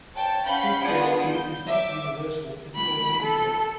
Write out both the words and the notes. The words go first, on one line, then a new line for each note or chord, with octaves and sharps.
Patriarchy is not universal in Polynesia.
C#5 G5 A5
C#4 F5 F#5 B5 G6
B3 D4 F4 G#4 D#6
G6
E5 D6
B5
A4